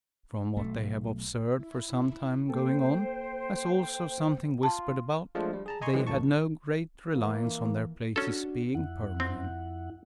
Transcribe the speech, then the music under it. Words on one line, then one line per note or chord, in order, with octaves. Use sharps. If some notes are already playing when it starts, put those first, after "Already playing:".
From what they have observed for some time going on, as also something whispered about, they had no great reliance on their places being permanent.
B1 A3
E4
A#3 A4 C5 G5
F4 A5
F3 G#3 A3 D4 F4
G3
G#4 A5 A#5
D#5 G#5 A#5 C6 C#6
D#3 E3 F#3 G#3 C4
A1 F2 A2 A5 C#6
E3 A#3
C#4 D4 F#4 A4
F2 E4 F#5
C4